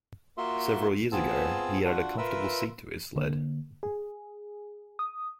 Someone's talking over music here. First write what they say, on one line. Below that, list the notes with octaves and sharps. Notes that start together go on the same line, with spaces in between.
Several years ago, he added a comfortable seat to his sled.
A#3 F4 F#4 E5 C6
B3 C4 F4 G#4 A5 E6
D4 F4 F#4 F#5
F4 A#4 B4 E5 E6
D3 A#3
G#4
D#6